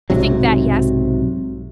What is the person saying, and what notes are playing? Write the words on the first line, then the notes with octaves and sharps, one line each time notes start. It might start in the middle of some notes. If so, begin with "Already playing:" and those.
I think that yes.
B1 G#2 C3 F#3